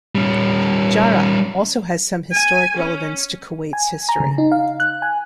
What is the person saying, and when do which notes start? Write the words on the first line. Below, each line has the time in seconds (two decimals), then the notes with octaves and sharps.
Jahra also has some historic relevance to Kuwait's history.
0.15 G3 C#4
2.32 G#5
2.77 C#4
3.73 G#5
4.09 A#5
4.20 C#3
4.38 D#4
4.52 F5
4.80 F#6
5.02 G#5